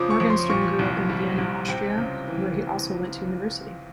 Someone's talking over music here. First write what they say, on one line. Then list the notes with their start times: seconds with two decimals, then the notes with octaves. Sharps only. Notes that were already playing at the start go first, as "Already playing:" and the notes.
Morgenstern grew up in Vienna, Austria, where he also went to university.
Already playing: F2 C#3 F3 D6 D#6
0.10 C#6
0.20 F2
0.30 C6
0.49 A#2 C#6
0.79 C2
1.10 G3
1.38 C2
1.68 C3 G5
1.98 C#2
2.28 E3